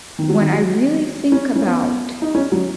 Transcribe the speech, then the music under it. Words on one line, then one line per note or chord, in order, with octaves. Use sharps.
when I really think about
D#3
F#3
D#3
F#3
C#4
C#4
B3
D#4
C#4
F#3